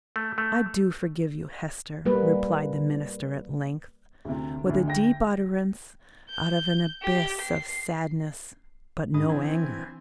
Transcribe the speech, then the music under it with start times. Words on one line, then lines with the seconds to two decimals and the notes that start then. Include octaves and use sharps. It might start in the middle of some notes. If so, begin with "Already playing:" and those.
"I do forgive you, Hester," replied the minister at length, with a deep utterance, out of an abyss of sadness, but no anger.
0.16 A3
0.38 A3
2.05 G3 A#3 B4
4.25 D2 C3
4.66 D2 D3
4.88 G5 A#6
6.29 G6
7.02 G4
7.41 C7
9.14 G#2 D4 D#5 D#6
9.29 E3 C4 G#5